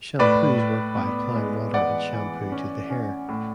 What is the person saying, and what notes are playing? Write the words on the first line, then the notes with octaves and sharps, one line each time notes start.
Shampoos work by applying water and shampoo to the hair.
A2 B4 D5
A2
B3
G#3
E3 D5 F#5
E3
C#4
C#4
A2